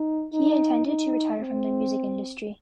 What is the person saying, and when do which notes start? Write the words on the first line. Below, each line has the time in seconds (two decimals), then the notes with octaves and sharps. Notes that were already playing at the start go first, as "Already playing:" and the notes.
He intended to retire from the music industry.
Already playing: D#4
0.33 D#4
0.87 D#4
1.40 C4